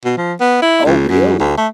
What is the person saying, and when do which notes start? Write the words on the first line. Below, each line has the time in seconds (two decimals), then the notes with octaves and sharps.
Oh, really?
0.05 B2
0.17 F3
0.40 B3
0.62 E4
0.86 C#2
1.09 F#2
1.40 D2
1.58 A3